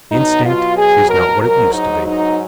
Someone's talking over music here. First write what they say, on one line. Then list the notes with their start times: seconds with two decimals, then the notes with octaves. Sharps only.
Instinct is not what it used to be.
0.12 B2 F#3 D#4
0.45 F4
0.77 G#4
1.09 A#4
1.41 G#2 F#3 A#4
1.73 D#4
2.06 D#4